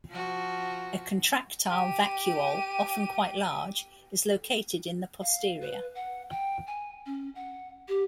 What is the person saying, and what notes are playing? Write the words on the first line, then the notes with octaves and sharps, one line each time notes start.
A contractile vacuole, often quite large, is located in the posterior.
F3 F#4
G4 D#7
F5
B4
F#5
G5
G#5
C#4
F#5
G4